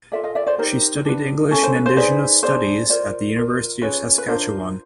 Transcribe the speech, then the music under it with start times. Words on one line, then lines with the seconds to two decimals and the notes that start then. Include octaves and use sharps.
She studied English and Indigenous Studies at the University of Saskatchewan.
0.12 F4 A4 D5 E5
0.23 D#5 F5
0.35 D5 E5
0.47 C5 D5
0.58 D#4 G4 A#4 C5
1.05 D4 G4 B4
1.51 C#4 E4 A4
1.63 C5
1.75 B4
1.86 C5
1.97 D#4 G#4 B4 C5 D5
2.43 D4 F4 G#4 C5 D5
2.89 F4 A#4 C5 D5
3.36 F4 A#4
3.82 C#4 F4 G#4 B4 C#5
4.18 B4
4.28 D4 F4 A#4 C5